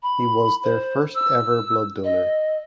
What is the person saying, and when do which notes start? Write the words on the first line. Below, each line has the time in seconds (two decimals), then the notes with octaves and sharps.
He was their first ever blood donor.
0.03 B5
0.64 C5
1.15 E6
2.04 D#5